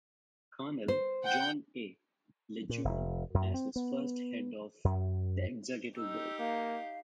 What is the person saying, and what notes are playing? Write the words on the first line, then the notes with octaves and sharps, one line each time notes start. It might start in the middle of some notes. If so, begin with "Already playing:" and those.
Colonel John A. Lejeune as its first head of the executive board.
C5
F#5 G5 G6
A#2
F1
F#2
C4
B3
F#2
D#4 G4 E6
A#3 F5